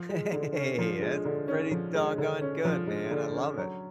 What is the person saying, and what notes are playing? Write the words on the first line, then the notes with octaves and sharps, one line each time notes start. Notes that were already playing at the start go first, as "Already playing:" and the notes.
Hey, that's pretty doggone good, man, I love it,
Already playing: F3
G#3
D3
C#4
F3
G#3
D3
C#4
F3
G#3
D3
C#4
F3
G#3
D3
C#4
F#3